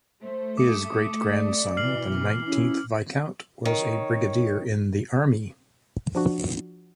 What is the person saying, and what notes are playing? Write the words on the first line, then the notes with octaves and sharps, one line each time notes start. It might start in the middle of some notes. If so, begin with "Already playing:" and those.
His great-grandson, the nineteenth Viscount, was a Brigadier in the Army.
A3 C5
D6 D#6 C#7
D5
B2 E3 F6 C7 F#7
C#4 E4
D#3 C#5
F3 D4 F#4